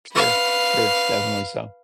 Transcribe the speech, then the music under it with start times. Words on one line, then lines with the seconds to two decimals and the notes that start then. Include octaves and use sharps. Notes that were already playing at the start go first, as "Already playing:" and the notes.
Sure. Sure. Definitely so.
0.13 B4 F5